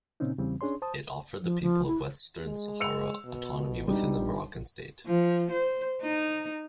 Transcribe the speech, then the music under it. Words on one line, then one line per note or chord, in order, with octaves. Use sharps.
It offered the people of Western Sahara autonomy within the Moroccan state.
A#2 C#3 C4 C#4 D#4
E2 C#3 E3 G3 C4
C#4 D4 G#4 C#5 C6
C5 A5 D#6
F3
F3
E4
G#3
E6 C#7 F7
B2
B2 G3 D4 D#4
F3
C5
D#4